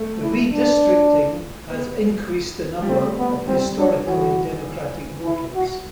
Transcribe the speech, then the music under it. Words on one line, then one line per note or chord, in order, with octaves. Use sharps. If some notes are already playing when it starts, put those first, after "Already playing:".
The redistricting has increased the number of historically Democratic voters.
Already playing: A3
E4
D4
B3
G3
A3 C4
B3
G3 C4
D4
E3 F#4
E4
F#4